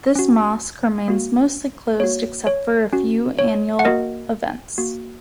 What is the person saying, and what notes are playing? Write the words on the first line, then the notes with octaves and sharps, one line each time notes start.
This mosque remains mostly closed except for a few annual events.
C#4 F#4
A#3 F#4
A#3 F#4 C#5
C#5
C#4 F#4
C#5
F#5
A#3 F#4 A#4 D#5
A#3 F#4